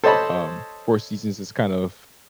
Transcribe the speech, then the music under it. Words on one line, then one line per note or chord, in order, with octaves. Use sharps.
um, four seasons is kind of
A4 C5 C#5 D#5 A5 B5